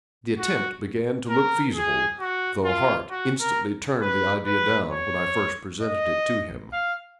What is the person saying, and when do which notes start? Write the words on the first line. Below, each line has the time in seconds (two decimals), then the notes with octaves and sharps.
The attempt began to look feasible, though Hart instantly turned the idea down when I first presented it to him.
0.39 F#4
1.29 A#4
1.74 G#4
2.20 F#4
2.64 F4
3.10 F#4
3.40 A#4
4.01 B4
4.46 B4
4.91 C#5
5.82 D#5
6.72 F5